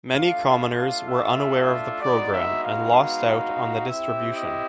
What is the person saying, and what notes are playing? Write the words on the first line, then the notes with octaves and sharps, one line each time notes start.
Many commoners were unaware of the program and lost out on the distribution.
A3 D4 F4 F5
F5
F5
E5
G#3 B3 D#4 F#4 D5
E5
F5
F5
C4 E4 G4 E5
D#5